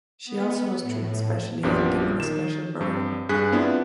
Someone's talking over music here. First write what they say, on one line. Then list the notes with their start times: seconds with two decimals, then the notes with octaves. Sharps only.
She also was treated specially, and given a special burial.
0.25 B3
0.82 A2
1.63 A#1 F#2 F3 B3 D4 G4
2.20 D#3 E7
2.81 G2 C4 G4
3.29 G2 G#4 F#6 B6
3.52 B3 C4 D4 E4 F4